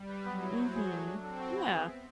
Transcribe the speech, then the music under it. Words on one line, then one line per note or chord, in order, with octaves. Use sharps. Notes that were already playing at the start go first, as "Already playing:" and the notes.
Mhm. Yeah.
Already playing: G3
B4
F#3 B3
E4
C5
G#4
F#3 A3
D4
C4 A4
F#4
B3 E4
G#4
E5